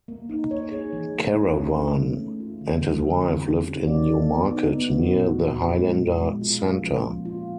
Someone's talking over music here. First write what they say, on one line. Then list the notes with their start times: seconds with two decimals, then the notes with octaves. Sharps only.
Carawan and his wife lived in New Market, near the Highlander Center.
0.08 A#3
0.29 D#4
0.51 C#5
0.72 G#4
0.93 E3
1.14 A3
1.35 E4
1.56 C#4
1.77 A3
1.98 C#4
2.19 A3
2.40 F4
2.61 D3
2.82 G3
3.03 D3
3.25 C4
3.46 C#4
3.67 F#4
3.87 D5
4.09 A4
4.30 B3
4.51 D#4
4.73 B3
4.94 F#4
5.14 A#2
5.35 F3
5.56 A#2
5.78 G#3
5.98 B2
6.19 G#3
6.41 F4
6.62 C#4
6.83 F3
7.04 A#3
7.25 F4